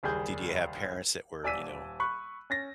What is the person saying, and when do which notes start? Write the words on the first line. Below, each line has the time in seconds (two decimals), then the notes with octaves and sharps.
Did you have parents that were, you know,
0.03 F#1 D#2 G3 G#4 G6
1.44 D#1 D5 G#5 E6 B6 D#7
2.00 B5 C#6 F#6
2.50 C#4 A6 A#6